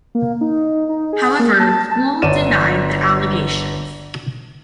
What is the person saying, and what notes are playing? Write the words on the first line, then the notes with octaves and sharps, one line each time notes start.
However, Gul denied the allegations.
A#3
D#4
D#4
G#4
A#3
A5
A5
G1 C#5 D5 D#7 E7